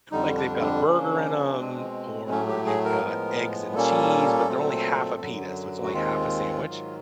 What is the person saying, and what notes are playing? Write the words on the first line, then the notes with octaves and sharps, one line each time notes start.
like they've got a burger in 'em or they've got eggs and cheese but they're only half a pita so it's only half a sandwich,
F2 D3 G3 D#4
D4
D4
C#3 F3 A#3 C#4
B2 G#3 C4
A2 F#3 A3 C#4
G4
G#4
A#4
A2 F3 G#3 B3
A#2 G3 A#3 C#4 A4
A#2 F#3 A3 C4
F#2 D3 F#3
F#4
D#2 D#3 G#3 C4 F4
G#2 D#3 F#3